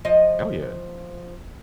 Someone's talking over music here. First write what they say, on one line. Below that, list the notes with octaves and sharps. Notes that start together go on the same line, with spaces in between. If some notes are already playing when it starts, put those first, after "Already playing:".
Oh, yeah.
F3 D#5